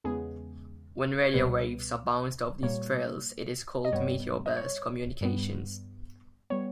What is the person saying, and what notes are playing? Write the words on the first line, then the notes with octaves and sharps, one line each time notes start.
When radio waves are bounced off these trails, it is called meteor burst communications.
E2 C#3 G#3 B3 G#4
C#5
C#2 B2 G3 B3 B4
A#2 G3 A#3 C#5
D#5
G2 G3 B3 C#5
D#5
C#5
G2 G3 B3
G3 B3 C#5